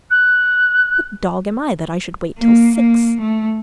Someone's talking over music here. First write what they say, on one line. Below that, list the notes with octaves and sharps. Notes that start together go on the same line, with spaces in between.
"What dog am I that I should wait till six?"
F#6
A#3
A#3
A3